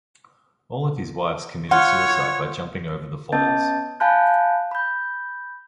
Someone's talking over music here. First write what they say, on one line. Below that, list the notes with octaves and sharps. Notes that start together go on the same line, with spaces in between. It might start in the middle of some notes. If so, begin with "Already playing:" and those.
All of his wives committed suicide by jumping over the falls.
F4 C#5 F#5
B3 C#4 D#5 A5 G6 A6
F5 G#5 A5 B5 F#6 G6
B5 G6